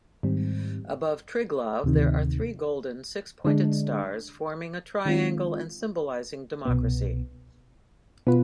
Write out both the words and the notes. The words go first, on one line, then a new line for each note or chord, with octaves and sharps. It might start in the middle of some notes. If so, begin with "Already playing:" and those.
Above Triglav, there are three golden, six-pointed stars, forming a triangle and symbolising democracy.
G#2 D#3 G3 C4
D2 C3 D#3
D3 G#3 D4
D#3 G#3 C4 F4
C2 B2 B3
B2 B3 F4 B4